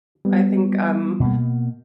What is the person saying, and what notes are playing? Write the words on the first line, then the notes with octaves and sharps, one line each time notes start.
I think, um
G3 B3
B2 A#3